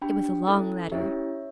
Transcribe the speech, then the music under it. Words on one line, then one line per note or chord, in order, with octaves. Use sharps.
It was a long letter.
D4 G4 G5 B5
C#4 E4 A4
C#4 E4 G4 C#5 E5